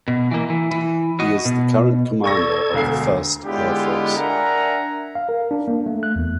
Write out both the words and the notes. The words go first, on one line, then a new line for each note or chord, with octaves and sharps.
He is the current commander of the First Air Force.
B2
E3 A#3
E3
E3
F#4 D#5
B2
A4 D5 C#6 G#6 A#6
E1 D2 C7
D3 G#3 B3 E4 F4 G4
D4 A#4 E5 F#5 G#5 A#5
F5
A#4
D4
A#3
A3
F#6
E2